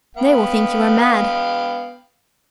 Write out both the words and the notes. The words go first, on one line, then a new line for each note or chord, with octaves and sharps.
"They will think you are mad."
B3 F5 G5